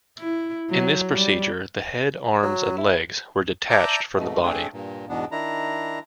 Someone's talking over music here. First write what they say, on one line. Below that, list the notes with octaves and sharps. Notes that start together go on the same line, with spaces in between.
In this procedure, the head, arms, and legs were detached from the body.
E4
F#3
G3
F#3
E4
D5 E5 A5 A#5 D6 G6
G#2 B2 A3
A3 C4 D4 G#4
G2 A#2
E2 G#2 B2 E3 B3 D4
D#3 D4 E4 A#5